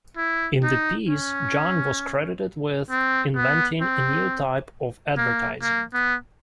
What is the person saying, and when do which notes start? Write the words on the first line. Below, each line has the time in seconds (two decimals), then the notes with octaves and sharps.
In the piece John was credited with inventing a new type of advertising.
0.17 E4
0.63 D#4
1.08 C#4
2.90 C4
3.36 B3
3.81 C4
5.17 A#3
5.63 A#3
5.94 B3